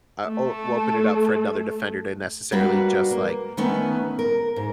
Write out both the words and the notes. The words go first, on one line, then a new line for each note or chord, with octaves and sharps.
uh, or open it up for another defender to necessarily just like
A3 A4
G3 A#3 D4 F#4 B4
A#3
D#3 A3 B3 C#4 D#4
A#4
G#2